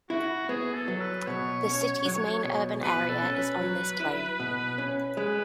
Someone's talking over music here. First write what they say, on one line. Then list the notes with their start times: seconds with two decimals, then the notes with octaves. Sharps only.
The city's main urban area is on this plain.
0.10 E4 F#4
0.49 B3 G#4
0.75 A4
0.88 F#3
1.01 B4
1.27 B2 C#5
1.66 C#4
2.05 F#3
2.44 B2
2.83 B2 B4
3.09 A4
3.22 C#4
3.35 B4
3.61 F#3
4.00 E4
4.40 B2
4.78 C#4
5.17 G#3 B4